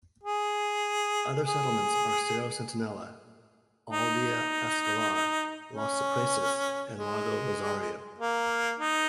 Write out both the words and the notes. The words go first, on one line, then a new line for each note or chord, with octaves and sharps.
Other settlements are Cerro Centinela, Aldea Escolar, Los Cipreses and Lago Rosario.
G#4
G#4
D#4
C#4
G#3
A#3
D#4